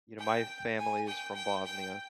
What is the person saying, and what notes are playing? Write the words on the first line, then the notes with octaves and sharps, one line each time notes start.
You know, my family is from Bosnia,
G5
G#5
G5
G5
G5